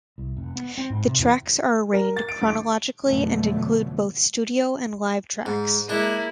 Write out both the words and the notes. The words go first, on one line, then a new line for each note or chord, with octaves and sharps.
The tracks are arranged chronologically and include both studio and live tracks.
C2
F1
B3
C4
G#2
C3
E2
A#4
A6
D7
D#1
F2 B2 D3 F#3 A3
G#2
G#3 A#3 D4 E4